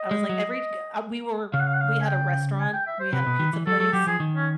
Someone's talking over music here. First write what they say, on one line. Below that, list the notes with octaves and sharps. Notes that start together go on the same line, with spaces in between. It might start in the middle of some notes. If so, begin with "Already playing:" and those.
I was like every g uh, we were we had a restaurant, we had a pizza place.
Already playing: D#5
G#3
F#3
C#3 F5
F#5
F5
F#5
F5
G#5
G5
G#5
G5
E5
C5
C3 B4
B2
D#3
E3
F#3 A4
F#3 A4
F#3 G4
F3 G#4
D#3
C#4